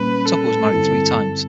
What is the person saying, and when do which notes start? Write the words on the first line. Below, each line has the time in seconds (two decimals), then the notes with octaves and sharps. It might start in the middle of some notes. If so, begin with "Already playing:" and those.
Tucker was married three times.
Already playing: A#2 G3 A#3 C#4 B4
0.25 A4
0.73 G2 D3 G3 C4 E4